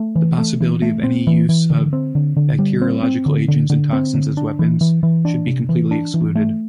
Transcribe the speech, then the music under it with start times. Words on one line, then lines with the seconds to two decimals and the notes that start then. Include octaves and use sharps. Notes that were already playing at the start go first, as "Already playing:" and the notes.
The possibility of any use of bacteriological agents and toxins as weapons should be completely excluded.
Already playing: A3
0.16 E3
0.38 A3
0.60 E3
0.82 A3
1.04 C4
1.27 E3
1.49 E3
1.70 D3
1.93 C4
2.15 D3
2.37 D3
2.59 G3
2.82 C4
3.03 C4
3.26 D3
3.48 D3
3.70 D3
3.93 C4
4.15 D3
4.37 D4
4.59 E3
4.81 E3
5.03 E3
5.25 D4
5.47 C3
5.69 E3
5.91 D4
6.14 E3
6.35 A3